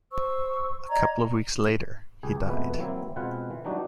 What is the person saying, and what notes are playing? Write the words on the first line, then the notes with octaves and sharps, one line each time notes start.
A couple of weeks later, he died.
C5 C#6 E6
D5 D#5 A#5 G#6
C#2 G4 G#4
F2 B2 G#3 A3 B3 B4
E3 F#3 A#3 C4 E4
B2 G#3 C4 F4 B4 F#5
E3
E3 F#3 G3 D4 D#4 F#4